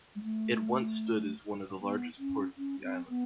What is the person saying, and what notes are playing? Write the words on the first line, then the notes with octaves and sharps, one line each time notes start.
It once stood as one of the largest ports of the island.
G#3
A3
B3
C#4
C#4
C4
B3